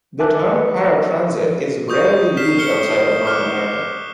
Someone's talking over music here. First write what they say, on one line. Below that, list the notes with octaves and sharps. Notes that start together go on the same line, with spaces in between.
The term "paratransit" is rarely used outside of North America.
E5 G#5 A5 D6 F#6
B4 F#5
C#6 D#6 G6
F6 B6 C7 E7
F6 C#7 G7
D6 F6 F#6